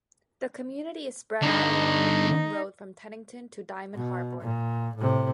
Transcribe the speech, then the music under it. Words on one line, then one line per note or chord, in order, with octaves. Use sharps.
The community is spread out along the main road from Teddington to Diamond Harbour.
G2 D3 D#4
B2
A#2
A2 C3